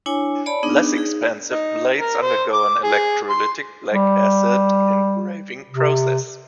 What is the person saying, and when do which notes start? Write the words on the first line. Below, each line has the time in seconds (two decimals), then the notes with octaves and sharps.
Less expensive blades undergo an electrolytic black acid engraving process.
0.06 D4 E4 C#5 G#5
0.46 C#5 D5 A5 B5
0.63 B3 D4 D#4 G#4
0.96 D#4 G#4
1.51 D#4
1.98 A#4
2.22 C5
2.53 D6
2.83 G#4
3.30 C6
3.94 G3
5.69 C3